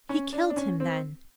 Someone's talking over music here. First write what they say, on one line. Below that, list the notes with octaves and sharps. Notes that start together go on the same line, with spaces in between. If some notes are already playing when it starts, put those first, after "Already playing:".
'He killed him, then.'
C#4
D4
D4
C#4
C4